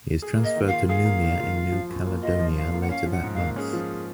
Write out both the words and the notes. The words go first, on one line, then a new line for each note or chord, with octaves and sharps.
He is transferred to Noumea in New Caledonia later that month.
G#4
A#3
D#5
D#3
F5
F4
G#4 F5
A#3
D#3
F4
F4
F3
F#2
A#3
F4 D#5
F3
F#2 F5
A#3
F#5
C#4 F5
F3
F#5
G#2
F5
A#3
C#4 G#4
F3